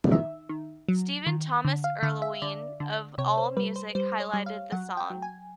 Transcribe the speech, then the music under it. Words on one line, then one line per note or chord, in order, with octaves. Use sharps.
Stephen Thomas Erlewine of AllMusic highlighted the song.
D#3 E5
D#3
F#3
D#3
D3
F5
D3 F5
E5
D3 D5
D3
C3 C#5
C5
G3 B4
C5
G3 C5
C#5
G3
F5
F#3 F#5
G5
F#3
G#5